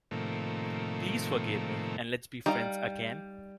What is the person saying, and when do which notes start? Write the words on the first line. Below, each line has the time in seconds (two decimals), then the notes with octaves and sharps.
Please forgive me, and let's be friends again.
0.11 A2 C3 D#3 F3 A3 A#3
2.46 G3 D#4 F5